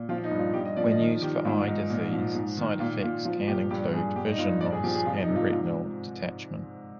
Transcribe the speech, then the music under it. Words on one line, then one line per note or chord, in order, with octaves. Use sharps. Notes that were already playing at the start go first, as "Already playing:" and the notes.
When used for eye disease side effects can include vision loss and retinal detachment.
Already playing: A#2
F3 F4
D#4
G2
F4
G2 G4
D#5
F3 D5
D#5
D#3 D#5
D#3 G4
G#2 F4
G#2 D#4
A#2
F3
G#2
D#3
A#2 F4
A#2 F4
F3 F4
A#2 G4
G2 G4
G2 G#4
G2 G4
D#4
G2 F4
A#2 D5
G#4
F3 G4
G#4
C3 F4
D#4
C3
F4
G#2 F4